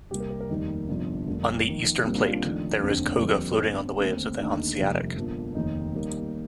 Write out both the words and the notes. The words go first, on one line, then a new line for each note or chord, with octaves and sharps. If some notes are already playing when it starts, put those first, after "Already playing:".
On the eastern plate, there is koga floating on the waves of the Hanseatic.
C2 C3 G3 A#3 G4
A#4
A#4
A#4
F1 D#2 D#3 G3 A#3 D#4
G1 F2 C3 F3 D4
F1 F2 D3 G3 A#3
F2 D#3 A#3
C2 A#2 G3 A#3 C4
D4
F4
D4
F2 D#3 A3
F1 D#2 D3 A3 C4
F2 D3 G3 A#3
G1 G2 D3
D#2 D3 A3 C4
D#2 D3 A3 D#4
F1 F2 C3 G3 A#3
G1 G2 F3 A#3
F1 D#2 D#3 D#4
D#2 D#3 G3 A#3